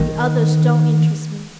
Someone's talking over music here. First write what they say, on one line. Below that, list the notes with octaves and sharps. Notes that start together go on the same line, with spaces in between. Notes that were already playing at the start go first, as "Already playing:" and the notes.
"The others don't interest me."
Already playing: D#3